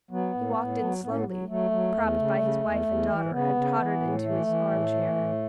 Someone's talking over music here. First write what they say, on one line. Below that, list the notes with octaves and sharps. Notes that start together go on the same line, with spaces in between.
He walked in slowly, propped by his wife and daughter and tottered into his arm-chair.
F#3 B3
A2
A2
F#3
A2 B3
C#4
B3
F#3
F#3 A3
F#3
E2
C#3
C#3
E2
E2
E3
C#3 B3
C#3
E3
A2
E3 A3
E3
A2
E3
A2